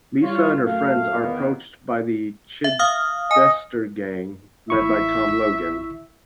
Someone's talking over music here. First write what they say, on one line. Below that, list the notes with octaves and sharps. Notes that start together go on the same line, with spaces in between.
Lisa and her friends are approached by the "Chidester Gang", led by Tom Logan.
G3 E4 F4 C#5
F#2 A3 F5
E2 D#3 A#3 B3
E5
F5 D#6 F6
D#5 G#5
A1 E4 E5 C#6